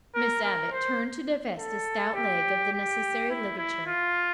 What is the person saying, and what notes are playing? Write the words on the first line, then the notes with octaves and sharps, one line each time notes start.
Miss Abbot turned to divest a stout leg of the necessary ligature.
A#4
A#4
C5
A4
G4
G4
E4
E4
F4